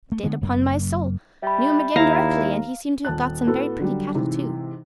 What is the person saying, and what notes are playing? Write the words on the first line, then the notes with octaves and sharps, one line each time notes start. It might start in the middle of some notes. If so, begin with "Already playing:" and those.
"Did upon my soul; knew him again directly, and he seemed to have got some very pretty cattle too."
A3
D3 G#3 B3
F#1 F#2 A#3
G3 E5 B5
D#2 E4 F5 A#5
D#1 A5 F#6
A2 B3 F#4 A4
D3 F#3 G3
G#2 C3 E3